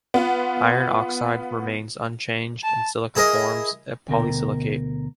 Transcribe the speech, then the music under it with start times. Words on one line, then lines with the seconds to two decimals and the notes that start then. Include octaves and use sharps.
Iron oxide remains unchanged and silica forms a polysilicate.
0.14 B3 F4
2.63 A5
3.15 E4 G#4 A#4 D#5
4.08 D2 B2 A#4 G5